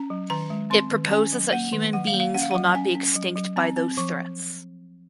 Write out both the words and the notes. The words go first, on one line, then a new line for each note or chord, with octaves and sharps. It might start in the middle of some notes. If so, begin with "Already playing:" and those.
It proposes that human beings will not be extinct by those threats.
Already playing: C#4 A#5
F#3
D#3 A#5
G#3
C4 C6
D#3
C#4 G#5
F#3
A#3 F#5
D#3
F#3 F#5
F5
A#3
F5
C#4 F#5
F5
F#3 F#5
C#4 G#5
C#4
F#3
F#3
C4 A#5
C4
F3 C#6